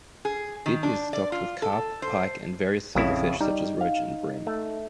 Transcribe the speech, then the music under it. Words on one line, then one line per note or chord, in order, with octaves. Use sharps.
It is stocked with Carp, Pike and various silverfish such as Roach and Bream.
G#4
D#3
D4
D5
F4
A4
C5
A#1 F2 C#3 E4
G3 D#4
F5
A3